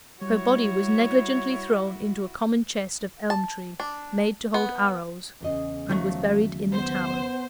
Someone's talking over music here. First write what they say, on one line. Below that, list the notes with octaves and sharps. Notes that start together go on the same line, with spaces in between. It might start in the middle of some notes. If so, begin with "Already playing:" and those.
Her body was negligently thrown into a common chest of elm-tree, made to hold arrows, and was buried in the Tower.
G3 E4 F#4 C#5
A5
D4
B3
E2 C#3 D#5
D#3 F3 F#3 A3
B3 C5